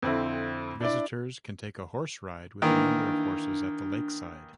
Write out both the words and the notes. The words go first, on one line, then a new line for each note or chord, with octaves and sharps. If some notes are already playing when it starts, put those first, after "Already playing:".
Visitors can take a horse ride with a number of horses at the lakeside.
F2 D3 C4 E4
D4 E4 D5
D#3 E3 A#3 D4